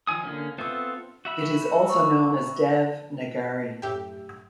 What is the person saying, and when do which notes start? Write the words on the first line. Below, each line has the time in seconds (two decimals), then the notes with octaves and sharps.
It is also known as Dev Nagari.
0.07 D#3 F3 G#5 D#6
0.23 D3 A#3 C#4
0.58 B3 C4 F4 A4 E5
1.25 F#4 E5 B5
1.86 A#5 C#6
3.82 F#2 A2 G4 E5 G5